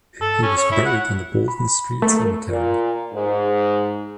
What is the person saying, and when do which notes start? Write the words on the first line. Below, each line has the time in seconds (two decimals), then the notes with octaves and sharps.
He was buried in the Bolton Street Cemetery.
0.22 A4
0.42 C#4
0.57 C#5
0.71 E4
0.86 F#5
1.48 B5
2.02 A3 A#4
2.49 A#2
3.13 G#2